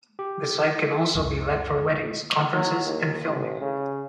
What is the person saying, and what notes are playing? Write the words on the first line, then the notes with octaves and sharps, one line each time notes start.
The site can also be let for weddings, conferences, and filming.
G4
C#2 F#2 F3
F#3
D#2
A1
C#3